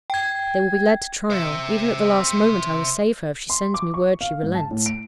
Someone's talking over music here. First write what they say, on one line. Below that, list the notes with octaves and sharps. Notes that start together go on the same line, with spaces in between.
They will be led to trial,--even at the last moment, I will save her, if she sends me word she relents.
G5 G#6
C5 E5
C6
D6
C#6
F5
G#2
A5
A2
D7